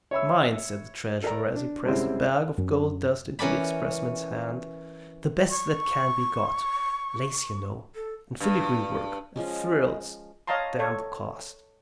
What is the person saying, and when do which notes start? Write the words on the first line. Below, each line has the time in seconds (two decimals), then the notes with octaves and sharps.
"Mind," said the treasurer, as he pressed a bag of gold-dust into the expressman's hand, "the best that can be got,--lace, you know, and filigree-work and frills,--damn the cost!"
0.11 C#5 E5 B5 E6
1.23 A4 A#4 D5 A#5
1.56 D4
1.85 F#2 C3 G3 G#3 C4 E4
2.58 F#2
3.39 E3 C#4 A#4 D5 B5
5.49 C#6
7.95 A4
8.40 G2
9.36 F3 G#3 C#4 D#5
10.47 C#5 D#5 F5 A5 A#5 C6
10.79 A4 C#5